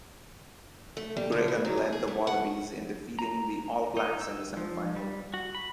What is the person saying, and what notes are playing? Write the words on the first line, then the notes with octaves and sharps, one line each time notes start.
Gregan led the Wallabies in defeating the All Blacks in the semi-final.
A3
G3
D3
E4
F#3
G#4
G#4
A3
F#5
A#5
D#4
E6
F3
G3
F#4
B5